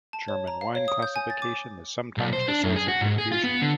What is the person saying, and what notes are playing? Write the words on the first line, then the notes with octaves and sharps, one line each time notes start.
German wine classification is sometimes the source of confusion.
A5
C#5
A#5
F5
C#5
D#6
G6
G#5
A6
D6
B1
C5
D4
F#2
G#4
F#4
G#2
G#4
F4
B3
D3